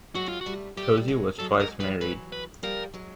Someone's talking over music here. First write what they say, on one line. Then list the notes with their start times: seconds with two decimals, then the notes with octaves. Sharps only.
Tozzi was twice married.
0.15 F#3 G#3 F#4
0.28 F4
0.41 F#4
0.46 G3 A3
0.77 G3 A3 G4
0.97 G3
1.08 F#3 G#3
1.39 F#3 G#3 A4
1.59 F#3 G#3 A#4
1.80 F3 G3 B4
2.01 E3 F#3 B4
2.32 B4
2.63 F3 G3 A#4
2.94 F#3 G#3